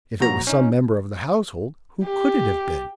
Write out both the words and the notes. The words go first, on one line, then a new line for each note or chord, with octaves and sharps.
If it was some member of the household, who could it have been?
A#2 F3 F#4 A#5
C#4 D#4
G4